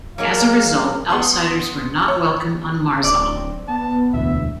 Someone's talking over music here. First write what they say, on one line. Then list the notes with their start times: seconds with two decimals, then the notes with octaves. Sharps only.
As a result, outsiders were not welcome on Marzal.
0.18 F#3 G#3 A#3 F5
1.10 B3 C6 D#6
2.08 C#5
3.04 D1 D5
3.33 C4
3.68 B3 A5
4.14 E1 D2 A2 E5